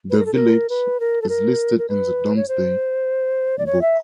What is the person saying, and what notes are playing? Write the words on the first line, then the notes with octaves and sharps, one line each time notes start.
The village is listed in the Domesday Book.
B4
A#4
A4
A#4
B4
A#4
A4
A#4
A#4
B4
C#5
C5
D5
C#5
E5